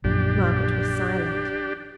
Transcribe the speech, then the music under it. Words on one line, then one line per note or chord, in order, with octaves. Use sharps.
Margaret was silent.
A#1 F#2 A#2 D4 G4